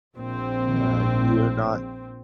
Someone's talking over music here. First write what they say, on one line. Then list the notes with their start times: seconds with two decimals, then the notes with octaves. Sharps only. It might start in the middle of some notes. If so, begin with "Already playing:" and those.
Yeah, and you are not
0.15 A#1 C4